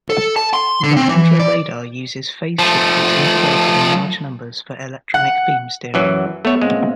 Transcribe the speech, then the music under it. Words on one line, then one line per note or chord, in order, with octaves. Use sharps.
Rajendra radar uses phase shifters integrated in large numbers for electronic beam steering.
A4
A5
C6
D3
C4
E3
D5
F3 A3
F#5
F#2 E3 F#3
A3 B3 C#5 E5
A#2 G#3 C4 C#4